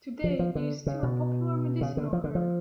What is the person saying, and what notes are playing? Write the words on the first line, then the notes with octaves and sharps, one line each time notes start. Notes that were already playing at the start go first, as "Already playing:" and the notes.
Today it is still a popular medicinal herb.
F3
F3
D3
C#3
B2
C#3
D3
F3
D3
F3